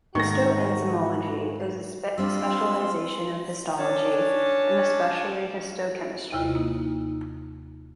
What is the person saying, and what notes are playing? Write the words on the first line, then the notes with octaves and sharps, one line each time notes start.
Histoenzymology is a specialization of histology and especially histochemistry.
G#2 D#3 A3 F#4 C#6 A#6
G3 C4 D4 F4 C6 E6
C#4 D4 C#5 A5
D#2 C3 E4 F4 D#5
A#3 D#4